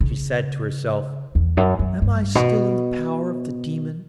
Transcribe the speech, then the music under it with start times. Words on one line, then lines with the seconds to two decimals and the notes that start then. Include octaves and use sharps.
She said to herself, 'Am I still in the power of the demon?
0.01 C#3
1.35 E2
1.57 F#2
1.79 F#2
2.02 G2
2.35 B2